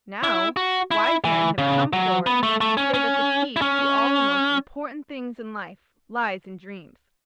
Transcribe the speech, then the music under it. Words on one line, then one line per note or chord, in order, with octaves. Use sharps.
Now, wise men have come forward to say that the key to all the most important things in life lies in dreams.
E4
F#4
E4
E3
C#3
F#3
B3
A3
A3
C#4
C#4
E4
C#4